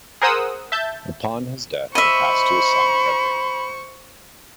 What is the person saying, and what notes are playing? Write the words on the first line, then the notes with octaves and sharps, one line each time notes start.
Upon his death, it passed to his son Frederick.
G#4 A#4 C5 F#5 D#6 E6
E5 A5 G6
C5 D#5 E5 B5 C#6